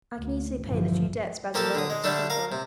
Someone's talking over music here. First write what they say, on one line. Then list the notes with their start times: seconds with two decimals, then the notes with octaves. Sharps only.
I can easily pay the few debts Basil owes, poor boy.
0.18 D2
0.66 A#1 G2 D3 E3 F3
1.54 F3 A#3 G4 A4
1.75 D3 D#6
1.90 G#3
2.04 D3 G3 A3 D4 A4
2.30 A#4 F5
2.52 C3